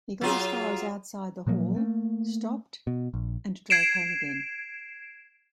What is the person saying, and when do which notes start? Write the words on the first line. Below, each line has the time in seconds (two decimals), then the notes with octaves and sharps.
He got as far as outside the hall, stopped - and drove home again.
0.21 F#3 F4 G#4
1.47 A#2 F3 F#3 A#3
1.76 A3 A#3
2.87 B2
3.14 A#1
3.70 G#6 C7 D7 E7